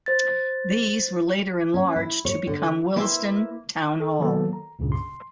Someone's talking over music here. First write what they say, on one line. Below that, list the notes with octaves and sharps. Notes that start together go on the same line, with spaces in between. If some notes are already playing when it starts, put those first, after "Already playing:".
These were later enlarged to become Willesden Town Hall.
C5 A6
C#4
E4
C#5
D3
C3 A#3 E4 B4 E5 C6
A4
D#3 F#3 A#3 B3 A4
A#5
C#2 G2 A#2 C#3
C6